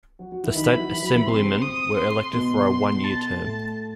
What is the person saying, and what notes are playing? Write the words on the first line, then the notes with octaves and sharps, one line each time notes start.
The State Assemblymen were elected for a one-year term.
F#3 F#4
F#3 F#4
E3 E4
D#3 D#4 B5
E3 E4
F#3 F#4
E3 E4
F#3 F#4
E3 E4
C3 C4 C6
D#6
C6
B2 B3 C6
A5
A2 A3